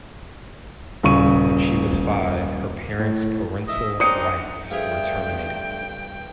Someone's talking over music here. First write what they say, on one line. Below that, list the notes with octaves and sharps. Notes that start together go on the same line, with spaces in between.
When she was five, her parents' parental rights were terminated.
D#1 C#3 C#6 D#7
A2
D#5 E5
C4 D4 D#4 D#6 C#7
G2 F3 A3 G#4 E5 F5 G5